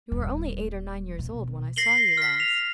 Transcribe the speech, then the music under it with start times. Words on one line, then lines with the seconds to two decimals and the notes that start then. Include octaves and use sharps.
"You were only eight or nine years old when I saw you last."
0.12 D#1
1.19 B2
1.76 A#6 C7 F#7 G7
2.17 F6 B6
2.40 F7